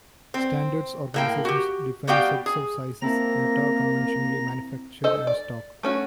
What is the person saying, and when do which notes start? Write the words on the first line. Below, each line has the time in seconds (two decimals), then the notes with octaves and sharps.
Standards organizations define sets of sizes that are conventionally manufactured and stocked.
0.34 C4
1.14 A2 A#3 G5
1.45 F#4 G4
2.07 G3 B3 F#4 G4 F5 G5
2.46 G#4
3.02 A#3 C4 E4 A5 A#5 A#6
5.04 A4 C5 D#5
5.27 D5
5.83 A3 C#4 F#4